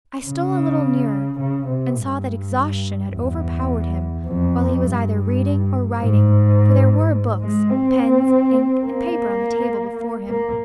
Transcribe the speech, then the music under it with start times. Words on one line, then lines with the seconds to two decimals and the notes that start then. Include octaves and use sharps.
I stole a little nearer, and saw that exhaustion had overpowered him while he was either reading or writing, for there were books, pens, ink, and paper on the table before him.
0.25 C#3
1.40 C#3
1.68 C3
1.97 G2
3.12 E2
4.26 F2
4.84 G2
5.98 G#2
7.41 G#3
7.70 C4
8.84 A#3
10.28 A#3